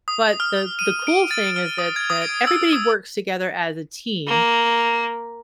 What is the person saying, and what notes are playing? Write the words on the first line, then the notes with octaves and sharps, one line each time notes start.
but the the cool thing is that that everybody works together as a team,
D#6
F6
D#7
D7
A6
F6
D#6
G#6
D#6
D7
E6
D#6
A#3